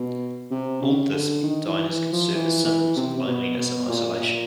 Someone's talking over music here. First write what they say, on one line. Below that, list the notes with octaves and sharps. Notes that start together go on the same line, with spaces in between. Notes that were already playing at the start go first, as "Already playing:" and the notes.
All this meant diners could serve as symbols of loneliness and isolation.
Already playing: B2
C3
C#3
D3
D#3
E3
E3
F3
E3
E3
C3
C3
B2
B2
A#2
A#2